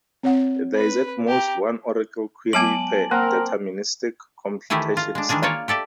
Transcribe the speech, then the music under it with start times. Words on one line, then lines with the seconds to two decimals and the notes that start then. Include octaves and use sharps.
There is at most one oracle query per deterministic computation step.
0.23 C4 C#5 F#5
0.75 B4
1.28 G4 A#5
2.53 F#3 G#3 B3 G#5 A5 D6 F#7
3.11 A#3 C4 A#4
4.70 D#3 E3 A3 E4 G4 G#4
4.97 F4
5.15 G#3 D4
5.29 D#3 E3 G#3 D4 G#4
5.43 A#3 F4 C#5 D5
5.68 G4 A4 D5 E5